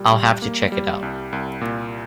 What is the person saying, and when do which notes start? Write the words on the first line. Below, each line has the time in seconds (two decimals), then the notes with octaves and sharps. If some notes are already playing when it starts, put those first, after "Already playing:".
I’ll have to check it out.
Already playing: A#2 G3
0.12 G3
0.42 A#3
0.72 G3
1.02 C2
1.33 C2
1.61 A#2